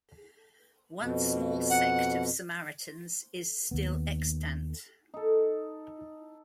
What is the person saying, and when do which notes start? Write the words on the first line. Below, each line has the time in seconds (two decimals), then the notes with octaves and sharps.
One small sect of Samaritans is still extant.
1.00 F2 B2
1.70 F#5
3.71 D#2 B3
5.14 D#4 A4